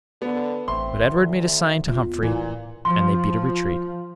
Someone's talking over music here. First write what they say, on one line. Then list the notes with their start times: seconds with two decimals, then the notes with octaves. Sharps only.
But Edward made a sign to Humphrey, and they beat a retreat.
0.22 D3 B3
0.68 A1 C4 E5 C6
1.01 D2 D#3
1.46 E5
1.86 E2 B3 F4
2.23 A1 A#2 E3
2.85 F3 C6